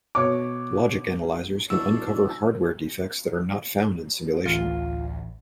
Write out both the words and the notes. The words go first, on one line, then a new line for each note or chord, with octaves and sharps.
Logic analyzers can uncover hardware defects that are not found in simulation.
B2 C#5 D6
B2 F#3 D4 E4 E6
A1 D2 F4